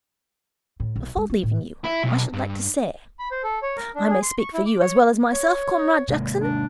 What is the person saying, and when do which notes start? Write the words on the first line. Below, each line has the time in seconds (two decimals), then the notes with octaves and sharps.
Before leaving you, I should like to say--I may speak for you as well as myself, Comrade Jackson--?'
0.80 A2
0.96 B1
1.17 G#3
1.30 F4
1.43 A2
1.85 E4
2.04 B1
2.33 G2
3.19 B5
3.31 C5
3.43 A4
3.62 C#5
3.77 A#4
3.95 D4
4.10 G#4
4.22 C6
4.39 C#6
4.53 E4
4.66 D6
4.81 C#5
5.33 C#5
6.09 C3 G#3 A#3
6.40 D4